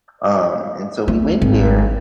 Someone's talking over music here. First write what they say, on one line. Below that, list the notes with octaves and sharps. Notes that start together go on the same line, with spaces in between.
um, and so we went there,
A3
G#1